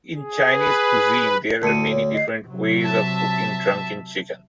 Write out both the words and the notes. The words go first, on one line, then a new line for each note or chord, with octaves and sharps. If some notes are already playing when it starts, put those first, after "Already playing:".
In Chinese cuisine there are many different ways of cooking drunken chicken.
G#4
B4
D2 A5 C#7 D#7
C#5
D#5 C7
C3 F#3
E5 A5